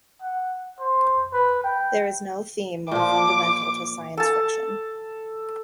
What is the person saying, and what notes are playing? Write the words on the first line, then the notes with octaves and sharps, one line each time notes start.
There is no theme more fundamental to science fiction.
F#5
C5
B4
G5
A#2 F3 D6
A4 A5